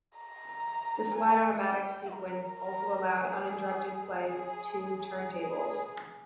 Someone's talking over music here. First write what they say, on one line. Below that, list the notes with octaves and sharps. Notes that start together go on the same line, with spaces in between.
The slide-automatic sequence also allowed uninterrupted play with two turntables.
A#5
G#5
G5
A#4
A#4
G#4
G#4
G#4